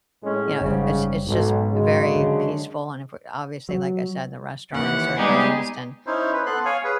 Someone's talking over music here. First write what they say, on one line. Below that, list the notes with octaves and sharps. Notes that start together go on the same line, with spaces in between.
you know, it's it's just very peaceful and if we obviously, like I said, the restaurants are closed, and
A2 G#3 C#4
F#1 G#2 C#3 G3 C#4
B1 G#2
F#2 C#3 G#3
D3
F#3
D#2 E3 F#5
G3 G#3 B3 D#4 G4 G#4
C#4 D#4 E4 C5
B4
B3 A4 C6 F#6
C#5 F5 G#5
G#4 B4